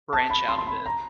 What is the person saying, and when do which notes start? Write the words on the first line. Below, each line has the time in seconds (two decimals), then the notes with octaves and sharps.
branch out a bit.
0.13 A5
0.30 B5
0.48 C6
0.58 C6
0.67 B5
0.86 A#5